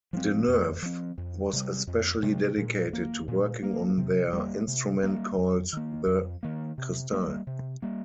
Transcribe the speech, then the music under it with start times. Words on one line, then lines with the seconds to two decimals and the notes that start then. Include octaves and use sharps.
Deneuve was especially dedicated to working on their instrument called the "Cristal".
0.13 F3 C4
0.48 F2
0.82 F3 C4
1.18 F2
1.53 C3 G3
1.87 F2
2.23 C3 G3
2.58 A#2
2.93 A#3
3.28 A#2
3.62 A#3
3.98 C3
4.33 G3 A#3
4.68 C3
5.03 G3 A#3
5.38 F2
5.73 D#3 A#3
6.07 F2
6.43 D#3 A#3
6.78 C3
7.12 G3 A#3
7.47 C3
7.82 G3 A#3